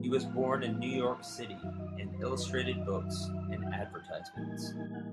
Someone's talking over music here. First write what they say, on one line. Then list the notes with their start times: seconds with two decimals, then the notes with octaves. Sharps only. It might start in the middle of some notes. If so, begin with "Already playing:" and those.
He was born in New York City and illustrated books and advertisements.
Already playing: A2 F3 G#3 B3
0.16 F#5
0.26 F5
1.62 F#2 D#3 F#3 E5
1.79 D#5
2.14 C5
2.30 B4
2.40 D#5
2.48 E5
2.65 D#5
2.82 E5
3.60 F#5
3.67 G5
4.36 A2 E3 G3 A#3 D#4 G#5
4.94 F#5